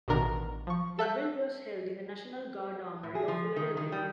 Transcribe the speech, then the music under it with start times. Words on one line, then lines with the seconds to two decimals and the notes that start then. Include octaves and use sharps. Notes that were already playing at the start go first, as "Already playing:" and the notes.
The event was held in the National Guard Armory of Philadelphia.
0.08 A1 B2 D#3 D4 A#4
0.67 F3 C#6
0.99 A4 E5 F#6 G6
3.03 A2
3.15 G#4
3.28 F3
3.56 D#3
3.77 D#3
3.92 G3